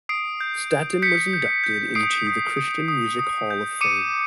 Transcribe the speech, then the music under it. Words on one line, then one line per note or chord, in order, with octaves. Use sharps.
Staton was inducted into the Christian Music Hall of Fame.
D#6 C7 D7
G6
G6
G6 B6 C#7
G6
G6
D#6 C7 D7
D#6
D#6
D#6
D#6
G6
D6 C#7 D#7